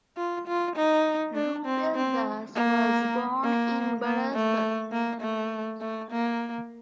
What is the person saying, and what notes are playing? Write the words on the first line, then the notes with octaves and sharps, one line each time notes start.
Rubel Das was born in Barasat.
F4
F4
D#4
D4
C4
C4
A#3
A#3
A#3
A3
A#3
A3
A3
A#3